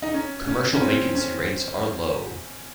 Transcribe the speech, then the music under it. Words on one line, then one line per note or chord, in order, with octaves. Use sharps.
Commercial vacancy rates are low.
D#4
C#4
C#4
C#4
C4
C#4